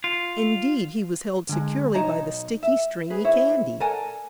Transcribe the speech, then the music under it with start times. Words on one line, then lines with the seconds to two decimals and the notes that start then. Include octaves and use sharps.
Indeed, he was held securely by the sticky, stringy candy.
0.04 F4
1.49 D3 G#3
1.94 B1 D#4 C#5 A5 A#5
2.63 E5
3.10 G#4 B4
3.24 E4 C5 C#5 E5
3.80 A4 A#4 D5 F#5 G#5 A5